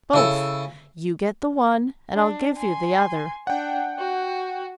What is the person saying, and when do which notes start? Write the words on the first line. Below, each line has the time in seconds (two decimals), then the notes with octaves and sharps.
'Both; you get the one, and I'll give you the other.'
0.14 C#3 E4 A4
2.14 D4
2.57 G#5 C6
3.47 D4 F#5 G5
3.98 F#4